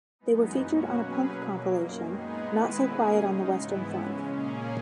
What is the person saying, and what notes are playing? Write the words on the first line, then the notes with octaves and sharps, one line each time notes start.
They were featured on a punk compilation Not So Quiet on the Western Front.
F#2 E3 G#3 B3 D#4
B2 A#3 C#4 F#4
F#3 C#4 G#4 B4
B2 F#3 A#3
F#2 D#3 A#3
A#2 G#3 B3 D#4 G#4
D#3 G#3 B3 E4 B4
B2 A#3 C#4 G#4
C#3 G#3 D#4
G#2 E3 B3 E4
C#3 G#3 C#4
A#2 A#3 C#4 G#4